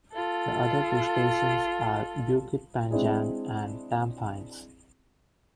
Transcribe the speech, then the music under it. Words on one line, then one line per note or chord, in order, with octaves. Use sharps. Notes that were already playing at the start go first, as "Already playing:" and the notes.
The other two stations are Bukit Panjang and Tampines.
F4 A4
G#3 C4 D4 E4 G#4